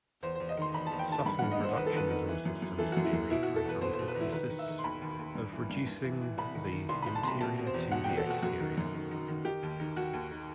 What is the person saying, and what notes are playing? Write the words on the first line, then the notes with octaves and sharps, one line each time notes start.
Subtle reductionism-systems theory, for example-consists of reducing the interior to the exterior.
E2 C5
C5
E2
D#5
D#3 C6
E2 B5
A5
E2
G5
D#3 A5
G2 B5
G2 F#5
D#5
G2 C5
D#3 B4
A4
D#3 B4
D#3
E3
F#2
F#2
E3 A4
F#4
F#2
E4
F#2
B2 E4
F#4
B2
A4
E2 B4
B2 C5
C5
B2
B4
E2
E4
D#3 B4
D#3
E5
D#3
C6
D#2 B5
D#2
D#2
G2
E3
G2
G2
E3
E3
C2 B5
D#3
D#3
C2 C6
C2 B5
A5
C3 B5 C6
B2 A5
B2
C5
E2
B2 F#5
G5
E2
A4
B2 F#4
F#2 F#4
D#3
F#2
D#3
D#3
D#3
D#3 G4
D#2
D#3
D#2 F#4
D#2
D#3